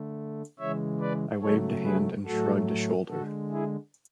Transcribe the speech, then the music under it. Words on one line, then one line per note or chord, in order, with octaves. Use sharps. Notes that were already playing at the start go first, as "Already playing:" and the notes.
I waved a hand and shrugged a shoulder.
Already playing: D3 A3
C#3 E3 G#3 C#5 E5
B4 D5
C#3 F#3 A3 A4 C#5
G#4 B4
A2 F#3 A3 F#4 A4
D3 G#3 F#4 A4
E4 G#4